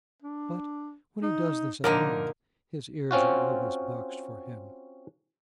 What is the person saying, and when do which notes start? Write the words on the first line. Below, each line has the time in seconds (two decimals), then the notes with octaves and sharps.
But when he does this at home, his ears are always boxed for him.
0.22 D4
1.23 D#4
1.84 A#2 D3 F3 D#4 A#4
3.11 C4 C#4 F4 F#4